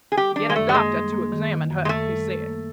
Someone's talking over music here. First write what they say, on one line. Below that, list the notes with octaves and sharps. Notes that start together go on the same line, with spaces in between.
"Get a doctor to examine her," he said.
G#4
G3 G4
D#3 D4
G#3
F#2 A3
G3
G#3 A#3
G3
A#3
D#3
D#3
F#2
G#3
F#2 A3
G3
A#3
A#3